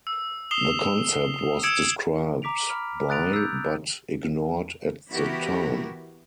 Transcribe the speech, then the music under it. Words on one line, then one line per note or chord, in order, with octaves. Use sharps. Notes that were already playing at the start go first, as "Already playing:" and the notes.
The concept was described by but ignored at the time.
E6
D#6 C7 E7 F7 G7
D#6 E6 G#6 C#7 D7 E7
A#5 D6 B6 D7 F7
B5 F6
D#6 F#6 A6 D7 F7
E6 G6
E3 B3 E4 F#4 G4 A#4